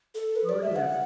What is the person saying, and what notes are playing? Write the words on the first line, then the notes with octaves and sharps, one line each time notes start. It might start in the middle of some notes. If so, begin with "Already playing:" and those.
Oh, yeah.
A4
B4
D5
E5
F#5